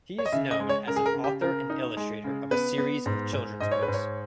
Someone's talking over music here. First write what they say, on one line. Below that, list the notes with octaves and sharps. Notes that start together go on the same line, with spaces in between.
He is known as an author and illustrator of a series of children's books.
C#5
D#5
C#3 E5
D#5
G#3
C#5
C#3 A#4
G#4
A#4
C#3
G4
C#3 A#4
D#4
G#3
C#3
B3 B4
B3
G#2
G#2
G#2 D#5
C#5
B4
G#2
C#5